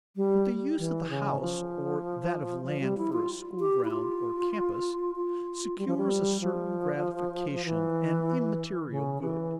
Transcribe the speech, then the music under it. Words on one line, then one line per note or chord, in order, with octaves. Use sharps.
But the use of the house, or that of land for a school ground or campus, secures a certain gratification, an immaterial good.
G3
E3
C#3
F3
F3
G3
E4
F4
G4
E4
F4
F4
G3
F3
G3
F3
F3
E3
C#3
E3